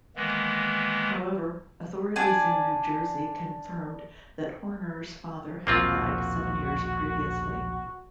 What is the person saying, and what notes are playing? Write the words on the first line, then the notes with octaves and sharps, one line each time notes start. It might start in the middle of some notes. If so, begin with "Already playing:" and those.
However, authorities in New Jersey confirmed that Horner's father had died seven years previously.
D#3 E3 G#3 A#3 B3
D4 D5 G#5
A#1 D#2 B2 A#3 C4 F4 F#4